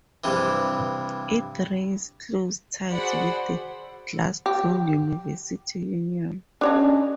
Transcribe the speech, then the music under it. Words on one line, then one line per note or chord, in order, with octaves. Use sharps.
It retains close ties with the Glasgow University Union.
G2 C3 E3
F#4 G#4 C5 D5 F#5 B5
G4
C#4 D4 C#5 D#5